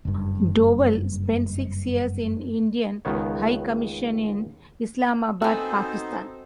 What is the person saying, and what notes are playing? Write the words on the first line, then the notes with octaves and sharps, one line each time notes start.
Doval spent six years in Indian High Commission in Islamabad, Pakistan.
F#1 G2
C#2 D#3 B3 C#5
B3 C4 D#4 F#4 A4 C5 G#5